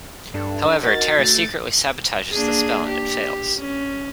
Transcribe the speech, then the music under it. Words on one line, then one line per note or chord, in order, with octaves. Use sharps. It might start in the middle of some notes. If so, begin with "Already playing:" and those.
However, Tara secretly sabotages the spell and it fails.
G2 D4 A4
D#4 F#4 A#4 D#5 A6
A3 A6
A#3 D4 G#4
G4
C#4